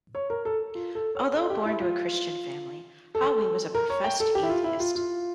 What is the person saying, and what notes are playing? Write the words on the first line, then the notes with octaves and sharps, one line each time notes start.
Although born into a Christian family, Hawi was a professed atheist.
C#5
A#4
A4
F4
A4
C#5
A4
G4
E4
F4
A4
A#4
C#5
G5
A4
G4
E4
F4
E4
F4
F4